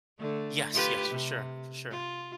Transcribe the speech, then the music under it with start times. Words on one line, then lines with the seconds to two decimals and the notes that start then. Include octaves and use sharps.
Yes, yes, for sure, for sure.
0.20 D3 A3
0.74 F4 G4 B4
1.08 C3
1.91 F4